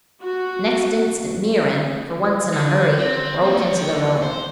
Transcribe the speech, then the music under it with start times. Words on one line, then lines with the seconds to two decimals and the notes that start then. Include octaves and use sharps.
Next instant Myrin, for once in a hurry, broke into the room.
0.23 F#4
2.54 D3
2.99 C4
3.45 A#3 C4
3.59 D#2 C#5
4.22 C5